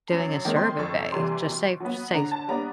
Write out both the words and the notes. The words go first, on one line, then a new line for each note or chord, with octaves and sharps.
doing a survey, just say say
F#2
D#3 G#3 C4
C6
F2 C#6
C3 E3 G3 C6
B2
F#3 B3
D3 A#5
A5
G3 B3 D4 A#5